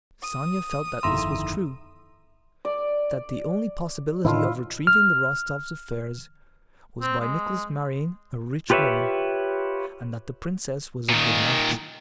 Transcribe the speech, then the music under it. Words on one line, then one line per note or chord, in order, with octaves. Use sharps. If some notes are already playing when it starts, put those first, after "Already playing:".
Sonya felt that this was true: that the only possibility of retrieving the Rostovs' affairs was by Nicholas marrying a rich woman, and that the princess was a good match.
D#6
G1 F2 D#3 E4 A#5 C6 E6
D5
A2 D#3 E4 F4
F6
C4
G#3
F4 G4 B4 C#5 E5
A#2 D#3